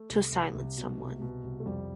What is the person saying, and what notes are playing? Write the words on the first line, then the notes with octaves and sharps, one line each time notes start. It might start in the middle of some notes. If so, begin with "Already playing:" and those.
To silence someone.
Already playing: A3
C2
C2
C2
B2
C2
B2
C2
A3
F2 G3